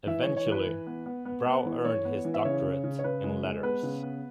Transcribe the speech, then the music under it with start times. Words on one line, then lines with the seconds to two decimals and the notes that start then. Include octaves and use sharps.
Eventually, Brau earned his Doctorate in Letters.
0.06 E3 E5
0.22 E3 C#5
0.37 C#5
0.46 E3
0.51 B4
0.66 E3
0.86 B3
1.06 B3
1.25 B3
1.46 B3
1.65 E3
1.85 E3 C#5
2.05 B3
2.25 E3
2.34 E5
2.45 C#3 C#5
2.64 C#3
2.84 C#3
2.99 C#5
3.04 C#3 B4
3.24 G#3
3.43 G#3
3.63 B3 B4
3.83 C#3
4.03 B3